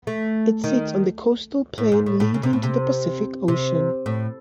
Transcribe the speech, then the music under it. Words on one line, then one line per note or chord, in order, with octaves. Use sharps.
It sits on the coastal plain leading to the Pacific Ocean.
A3
D#3
A2
G#2
A2
A2
C#3
C3
A2
C3
C3
A2